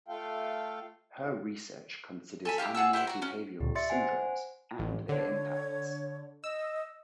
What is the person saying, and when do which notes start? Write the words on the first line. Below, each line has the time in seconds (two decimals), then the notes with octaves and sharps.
Her research considers animal behavioural syndromes and their impacts.
0.08 A3 F4 A4 F5 G5
2.45 A4 G#5 B5
2.58 E4 F#4 G4 F5
2.75 G#4 F#5 A5 E6
2.93 E4 G4 C5 F#5
3.07 F#4 A#5
3.22 C#4 F#4
3.60 D2 A#2 G4
3.75 D5 E5 C6 A6 C#7
3.90 C5 F#5 G#5
4.79 A1
5.09 D3 C#5
6.44 D#5 E6